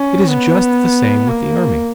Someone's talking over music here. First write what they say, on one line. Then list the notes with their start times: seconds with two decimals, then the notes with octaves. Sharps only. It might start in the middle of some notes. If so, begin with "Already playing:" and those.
It is just the same with the army.
Already playing: C#4
0.28 B3
1.28 A#3